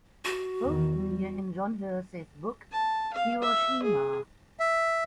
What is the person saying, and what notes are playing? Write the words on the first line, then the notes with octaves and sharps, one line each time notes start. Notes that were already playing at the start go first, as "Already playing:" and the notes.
Both appear in John Hersey's book, "Hiroshima".
F#4
E2 D#3
G3
A5
F5
E5
G#4
E5